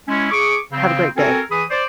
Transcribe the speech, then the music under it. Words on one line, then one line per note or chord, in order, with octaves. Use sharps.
have a great day.
G#3 C#4 E4
G#4 C#6 D6
C#3 C4
C4 F#4 A4 A#4 G#5
E3 G#4 B5 D#6
C5 D5